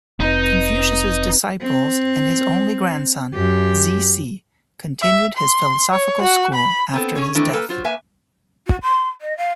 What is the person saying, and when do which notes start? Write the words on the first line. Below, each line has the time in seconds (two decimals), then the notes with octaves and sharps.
Confucius's disciples and his only grandson, Zisi, continued his philosophical school after his death.
0.20 F1 C4 D#4 B4
1.61 C4
3.34 F#2 G4
5.01 E5
5.36 C6
5.91 C#5
6.22 F#4
6.54 B5
6.94 B3 C4 A4
7.15 C#4 G#4 C#5
7.35 D#3 E3 A3 C4 D4
7.53 A#3 A4 B4
7.69 F#3 F4 C5
7.84 A#3 B4 E5 G#5
8.66 F#4
8.82 C6
9.21 D#5
9.37 F5